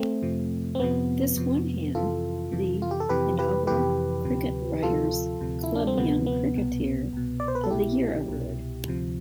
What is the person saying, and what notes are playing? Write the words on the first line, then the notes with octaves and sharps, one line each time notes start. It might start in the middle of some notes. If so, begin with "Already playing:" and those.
This won him the inaugural Cricket Writers' Club Young Cricketer of the Year award.
Already playing: A3 C4
F2 C3 F3
C4
F2 C3 F3 B3
F2 C3 F3
F2 C3 E3 F4 A4
F2 C3 E3
F4
G4
A4
F2 C3 E3 G4 B4
G4 B4
F2 C3 E3 G4 B4
D2 C3 F3
D2 C3 F3 F4 A4
D2 C3 F3
E4
D4
C4
D2 C3 F3 B3
B3
C2 B2
C2 B2
D5
C5
B4
A4
C2 B2 E4 G4
C2 B2
D2 C3 F3